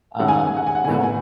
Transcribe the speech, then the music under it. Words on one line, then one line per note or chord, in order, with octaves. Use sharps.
um, now,
D#3 G#3 C#4 F#5
G#5
F#5
G#5
F#5
G#5
F#5
A2 G#3 B3 G#5
F#5
G#5